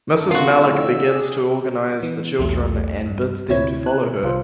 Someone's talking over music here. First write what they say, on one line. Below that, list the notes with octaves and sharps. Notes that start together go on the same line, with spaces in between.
Mrs. Malik begins to organize the children and bids them to follow her.
G2 A4 A#4
B3 C4 F4 F#4 F#5
F2 A2 D3 E4 G4 A#4 E6
G#4 D5
E3 B3
B1 E2 F#3 A3
G2
D2 C3 C4 E4 C#5 G#6
F#6
C2 F4 C5